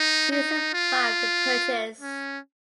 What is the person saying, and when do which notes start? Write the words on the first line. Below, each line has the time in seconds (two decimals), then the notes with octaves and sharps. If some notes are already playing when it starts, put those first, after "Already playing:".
She survived the purges.
Already playing: D#4
0.31 D#4
0.74 F4
2.00 C#4